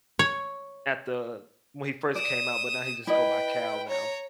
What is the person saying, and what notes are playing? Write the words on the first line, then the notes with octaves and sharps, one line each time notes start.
at the when he first came out, but now he just go by Cal now.
C#5
D5 D#6 E7
E4 B4 D#5 G5
C#5 A#5